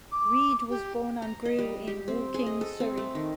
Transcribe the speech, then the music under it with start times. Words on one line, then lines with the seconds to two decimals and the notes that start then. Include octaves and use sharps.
Reed was born and grew in Woking, Surrey.
0.12 D6
0.69 G4
1.22 A#5
1.46 D#5
1.59 G3
1.87 G4
2.08 C4
2.34 G#4
2.46 D#5
2.61 A4
2.80 C4
2.97 A3
3.15 D#3